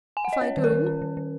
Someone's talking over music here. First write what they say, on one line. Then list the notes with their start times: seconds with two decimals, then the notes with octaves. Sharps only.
"If I do?"
0.17 G#5
0.25 F#5
0.33 D#5
0.41 C#4 C#5
0.57 D#3
0.64 A#4
0.72 D#3
0.86 C#4
1.02 D#3
1.17 D#3